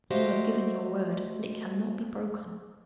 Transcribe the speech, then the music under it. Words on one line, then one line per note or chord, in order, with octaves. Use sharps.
You have given your word, and it cannot be broken.
A3 F#4 G4 C5 D#5 F5